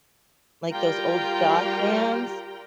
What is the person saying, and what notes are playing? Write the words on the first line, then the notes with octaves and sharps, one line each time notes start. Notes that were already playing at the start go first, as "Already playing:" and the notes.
like those old goth bands.
G3 F4 G4 A#4 G5 A#5